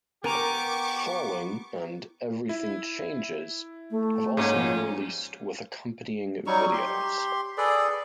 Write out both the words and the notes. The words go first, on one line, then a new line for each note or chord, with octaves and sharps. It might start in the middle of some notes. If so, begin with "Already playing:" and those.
"Falling" and "Everything Changes" have also been released with accompanying videos.
B3 G4 A#4 G#5 A#5 C#6 D6
E4
A3
G#2 D#3 G3 A#3 C#4 C#5
F3
F#3 G3 D#4 C#6
G4 C6
G#4 A4 B4 D5